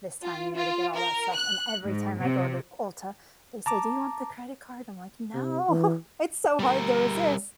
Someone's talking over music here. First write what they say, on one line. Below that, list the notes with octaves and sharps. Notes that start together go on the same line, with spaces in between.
this time of year to get all that stuff, and every time I go to Ulta, they say, "Do you want the credit card?" I'm, like, “No.” It's so hard to resist.
F4
F4
A#4
F#6
G#2
C3
A5 A#5 D6
C3
E3
G3 A#4